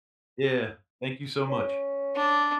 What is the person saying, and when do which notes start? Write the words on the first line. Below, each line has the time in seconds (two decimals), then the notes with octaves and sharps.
Yeah. Thank you so much.
1.50 C#4
2.16 D4